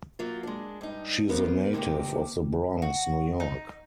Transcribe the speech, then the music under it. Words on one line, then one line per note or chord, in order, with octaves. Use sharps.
She is a native of The Bronx, New York.
F#3 A#3 F4
G#3 D4
G2 D#4
B3 A#4 C5
G2 C3 D#3 A#3 G4
F#4
D#4